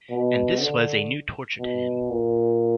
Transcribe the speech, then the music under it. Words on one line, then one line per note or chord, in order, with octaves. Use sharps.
And this was a new torture to him.
B2
D3
B2
A#2